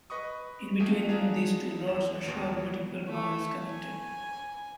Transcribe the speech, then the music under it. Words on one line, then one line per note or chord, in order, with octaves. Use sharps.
In between these two rods, a short vertical bar is connected.
B4 D#5 B5 C#6 D#6
G#3 A3 F4 G4 G#4
B3 D4 D#4 G#4 F5
E2 E7
D#2 B2 F3 B3
A3
G#5